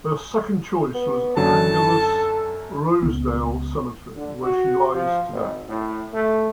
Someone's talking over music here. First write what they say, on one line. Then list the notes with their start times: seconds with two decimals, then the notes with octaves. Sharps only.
Her second choice was Angelus-Rosedale Cemetery, where she lies today.
0.95 B3
1.37 F#2 D3 F#3 A4 A5
3.02 C#2 B3
4.15 D3
4.43 F#4
4.93 F3
5.31 G#1
5.68 A2
6.13 A3